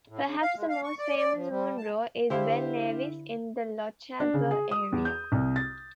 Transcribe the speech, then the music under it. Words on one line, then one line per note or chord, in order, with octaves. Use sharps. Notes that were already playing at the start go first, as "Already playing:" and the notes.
Perhaps the most famous Munro is Ben Nevis in the Lochaber area.
A2
C#3
F5
G#3
F5
C#6
D5
D5
F3
G3
A5
D3 E4 G4 C5 F5
D4
C#3
G#4
D#6
E2
G6
C2
A6